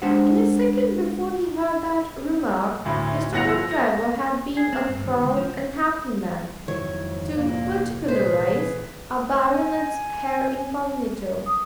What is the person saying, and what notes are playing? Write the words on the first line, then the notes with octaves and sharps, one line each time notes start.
In the second before he heard that remark, Mr. Hoopdriver had been a proud and happy man, to particularize, a baronet's heir incognito.
G#3 D4 G4 C5 F#5
D2 A2
G1 E4 F#5 A#6 C#7 F7
F3 E6
A#6
G#4
C4
G2
D#2
C#2
F3
F2 G#2 D#3 F#3 E4 C#5
C2 A#2 A#3
A#2 E3 G#4 B4 C5
G#5
D#6